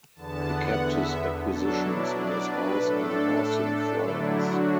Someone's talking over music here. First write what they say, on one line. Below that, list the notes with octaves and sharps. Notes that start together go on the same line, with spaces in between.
He kept his acquisitions in his house in Austin Friars.
E2 D3 B3 A5
F#5
E5
B2 F#3 D4 A4
E4
D5
B4
A2 A3 D4 A4
D3 F#3 A3 D4 E4
F#4